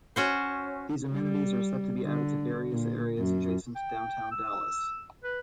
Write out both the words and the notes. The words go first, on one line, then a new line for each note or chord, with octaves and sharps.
These amenities are set to be added to various areas adjacent to downtown Dallas.
C#4 F#4 C5
G3
D3
A#2
F#2
G5
E6
B4